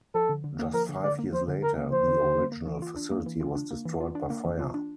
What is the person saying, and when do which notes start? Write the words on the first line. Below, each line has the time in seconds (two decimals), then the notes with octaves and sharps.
Just five years later, the original facility was destroyed by fire.
0.15 F3 A4
0.29 D3
0.44 D3
0.59 A#3
0.74 F3 A#4
0.89 D3
1.04 D3 D5
1.19 A#3
1.33 F3 C5
1.48 D3
1.63 D3 A#4
1.78 A#3
1.93 F3 C5
2.07 D3
2.22 D3
2.38 A#3
2.52 A#3
2.67 E3
2.82 F4
2.96 D4
3.11 A#3
3.26 E3
3.41 F4
3.55 D4
3.71 A#3
3.86 E3
4.00 F4
4.15 D4
4.30 A#3
4.45 E3
4.59 F4
4.74 D4